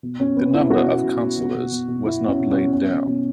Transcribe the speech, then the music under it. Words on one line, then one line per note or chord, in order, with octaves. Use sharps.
The number of councillors was not laid down.
B2
B2 C#4
B2 B3
B2 E4
B2 F#4
B2
B2
B2
B2
B2
B2
B2
B2 E4
B2
C#4
B2
C#4
B2
B2 C#4
B2
B2